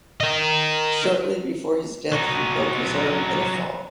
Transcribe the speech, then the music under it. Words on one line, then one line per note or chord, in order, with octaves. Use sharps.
Shortly before his death he broke his arm in a fall.
A#4 D#5
F#3 D#4